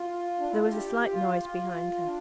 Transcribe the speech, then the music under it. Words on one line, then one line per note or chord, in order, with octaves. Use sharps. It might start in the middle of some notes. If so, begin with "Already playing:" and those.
There was a slight noise behind her.
Already playing: F4
D4
E4
F4
G4
F4
F4
D4